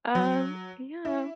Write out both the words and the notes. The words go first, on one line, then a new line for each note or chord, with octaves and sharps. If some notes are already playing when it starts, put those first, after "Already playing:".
Um, yeah,
F#3
E4